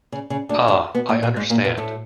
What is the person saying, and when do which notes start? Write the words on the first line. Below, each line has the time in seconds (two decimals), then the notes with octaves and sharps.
Ah – I understand!
0.12 C#3
0.30 C#3
0.49 D2 D3
0.68 D2 D3
0.95 B2 B3
1.09 A#2 A#3
1.22 A#2 A#3
1.36 G#2 G#3
1.50 A#2 A#3
1.64 B2 B3
1.77 A2 A3